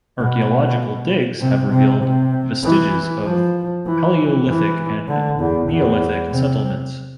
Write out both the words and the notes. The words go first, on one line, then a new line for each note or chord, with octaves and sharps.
Archaeological digs have revealed vestiges of palaeolithic and Neolithic settlements.
B2
C3
C3
C3
E3
F3
E3
E3
D3
E2
E2
C3